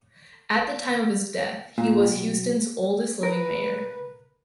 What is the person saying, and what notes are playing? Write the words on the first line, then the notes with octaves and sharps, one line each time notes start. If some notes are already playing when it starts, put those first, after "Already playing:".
At the time of his death, he was Houston's oldest living mayor.
A#2
B1
A#4 B4